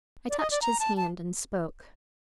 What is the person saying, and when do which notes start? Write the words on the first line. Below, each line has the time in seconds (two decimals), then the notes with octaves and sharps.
I touched his hand, and spoke.
0.30 D5
0.39 D#5
0.51 D5
0.62 A#5
0.80 A5
0.97 A5